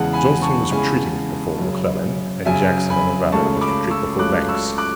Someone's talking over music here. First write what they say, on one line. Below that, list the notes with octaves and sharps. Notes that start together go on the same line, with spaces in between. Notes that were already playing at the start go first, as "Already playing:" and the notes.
Johnston was retreating before McClellan, and Jackson in the valley must retreat before Banks.
Already playing: E2 C#3 G#3 F#5 A5
G#5 B5
A5 C#6
E2 C#3 G#3 G#5 B5
F#2 C#3 F#3
F#2 C#3 F#3 E5 G#5
G#5 B5
C#2 C#3 F#3 A3 A5 C#6
B5 D6
C#6 E6
C#2 C#3 F#3 A3 D6 F#6
C#6 E6
D6 F#6